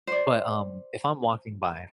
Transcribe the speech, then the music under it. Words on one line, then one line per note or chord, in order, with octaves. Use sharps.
but, um, if I'm walking by,
C5 D5